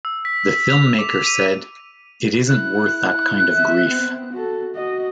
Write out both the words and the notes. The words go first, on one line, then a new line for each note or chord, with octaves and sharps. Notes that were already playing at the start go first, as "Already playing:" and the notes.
The filmmaker said, It isn't worth that kind of grief.
E6
B6
B6
F7
D6
D#7
E4 F#6
E5
B3 C4
F#4 A4
F#4 D#5